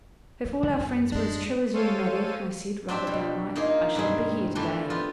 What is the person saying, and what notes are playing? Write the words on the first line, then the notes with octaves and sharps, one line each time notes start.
'If all our friends were as true as you, Maddie,' I said, rather down-like, 'I shouldn't be here to-day.'
C#4
G2 C#3 D4
A1 F#2 C4 D4
G3 G#3 D4 D#4
G#3 A4 C5 C#5 F5 D#7
C4 D4 G4 E5 G5
B2
A#3 D#4 F4 G#4
G2 B2 D#3 C4 G#4 B5
E3 F3 G3 A3 D4
B3 F4 G4